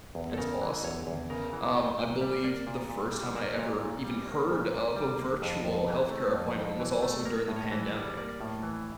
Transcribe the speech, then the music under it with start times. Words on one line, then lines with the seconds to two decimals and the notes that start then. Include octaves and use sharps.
That's awesome. Um, I believe the first time I ever even heard of a virtual health care appointment was also during the pandemic.
0.15 E2
0.33 A4
0.38 C#3 A#4
0.61 E3
0.84 E2 C#5
1.07 E2
1.30 C#3 A#4
1.53 E3
1.75 A#2 G5
1.98 A#2 G5
2.21 G3 E5
2.44 A#3 D5
2.67 A#2
2.90 A#2
3.13 G3
3.36 A#3
3.53 A#4
3.59 A#2 C#5
3.81 A#2
4.05 G3
4.28 A#3
4.51 A#2
4.73 A#2
4.96 G3
5.19 A#3
5.42 F2
5.65 F2
5.88 E3
6.11 A3
6.34 F2
6.56 F2
6.80 E3
7.02 A3
7.25 A#3 A#4
7.48 A2
7.56 C#5
7.71 E3
7.87 D5
7.94 G3
8.17 A#3 D5
8.41 A2
8.63 E3